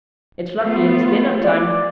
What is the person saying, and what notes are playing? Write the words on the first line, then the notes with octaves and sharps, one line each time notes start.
It's lucky it's dinner-time.
A3 B3 F4
D5